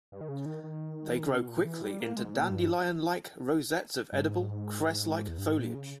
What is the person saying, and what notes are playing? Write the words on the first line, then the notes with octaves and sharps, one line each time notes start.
They grow quickly into dandelion-like rosettes of edible, cress-like foliage.
G2
D#3
C#3
D#3
D#3
E3
D#3
C#3
B2
A#2
E3
G3
A#3
G#3
G#2
A#2
G2
G2
G#2
E2
G2
G#2
A#2
C#3